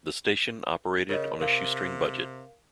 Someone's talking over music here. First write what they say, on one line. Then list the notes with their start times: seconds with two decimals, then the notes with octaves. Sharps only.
The station operated on a shoestring budget.
1.09 C#3 A#4 C#5 D#5
1.40 C3 A#4 F5